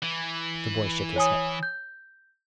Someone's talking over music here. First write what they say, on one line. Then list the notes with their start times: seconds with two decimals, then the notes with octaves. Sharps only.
The boy shook his head.
0.02 E3
1.16 C#5 G#5 D#6
1.63 G6